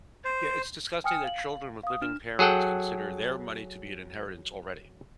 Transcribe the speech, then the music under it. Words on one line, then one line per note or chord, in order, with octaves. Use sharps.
Yeah, it's disgusting that children with living parents consider their money to be an inheritance already.
C5
G5 G#5 D#6 F6 C#7
F5 F#7
F5 D#6
D4 F6 E7
F#3 G#4 A4 F#5 G5